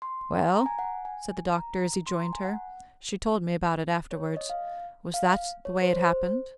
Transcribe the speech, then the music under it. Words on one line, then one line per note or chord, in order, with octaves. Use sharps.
"Well," said the Doctor, as he joined her--she told me about it afterwards--"was that the way it happened?"
C6
A#5
G#5
F#5
G#5
A#5
C6
A#5
G#5
F#5
C#5
D#5
F5
F5
C#5
C5
C5